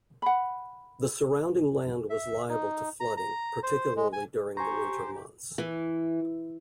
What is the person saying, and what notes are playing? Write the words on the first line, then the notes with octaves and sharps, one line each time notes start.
The surrounding land was liable to flooding, particularly during the winter months.
F#5 B5
E5
D#4
A#5
A#5
C5
G#3
G#5
G4 C5 G#5 A#5 C#6
E3